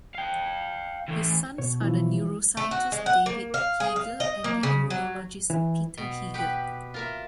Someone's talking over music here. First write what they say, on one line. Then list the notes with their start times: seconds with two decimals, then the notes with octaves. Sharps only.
His sons are the neuroscientist David Heeger and the immunologist Peter Heeger.
0.15 F5 G5
1.09 E3 A3
1.58 B2 C#5
1.80 E3 F3 E4
2.57 A3
2.71 F#4
2.92 G#3
3.06 F#5
3.26 A#3
3.54 F5
3.80 G#4
3.96 F5
4.20 D#5
4.44 A#3
4.63 C#3
4.90 F#3
5.50 E3
5.97 B2
6.34 G4 B4 F#5
6.94 F4 A#4 E5